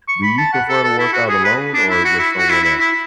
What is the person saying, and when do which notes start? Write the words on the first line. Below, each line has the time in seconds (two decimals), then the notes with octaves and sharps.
do you prefer to work out alone or with someone else?
0.08 C#6
0.23 B5
0.38 A5
0.53 F#5
0.69 A4
0.84 A4
0.98 E4
1.13 F#4
1.29 G#4
1.44 B4
1.74 D4
1.90 E4
2.05 F#4
2.19 E4
2.38 F#4
2.50 E4
2.64 E4
2.80 E4